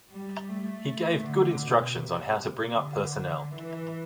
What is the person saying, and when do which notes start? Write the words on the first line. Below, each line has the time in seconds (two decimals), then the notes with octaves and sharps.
He gave good instructions on how to bring up personnel.
0.11 G3
0.49 A3
1.25 D3
1.62 B2
2.00 C3
2.76 D3
3.51 E3